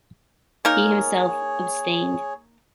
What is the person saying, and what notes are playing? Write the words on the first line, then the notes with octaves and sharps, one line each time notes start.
He himself abstained.
A#3 D#4 G#4 A#4 C#5